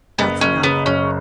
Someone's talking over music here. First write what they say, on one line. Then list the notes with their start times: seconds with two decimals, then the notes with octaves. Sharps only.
That's enough.
0.18 F#1 B3
0.41 F#1 C#4
0.63 C#3 B3
0.86 F#2 C#4